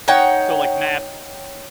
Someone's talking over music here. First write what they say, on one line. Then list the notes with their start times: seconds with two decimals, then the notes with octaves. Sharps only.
So, like, map
0.08 D#4 C#5 F#5 G5